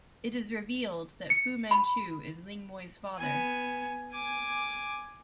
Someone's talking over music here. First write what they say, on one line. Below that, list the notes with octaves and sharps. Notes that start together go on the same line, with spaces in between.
It is revealed that Fu Manchu is Ling Moy's father.
C#7
B5
B3 G#5
G#5 D6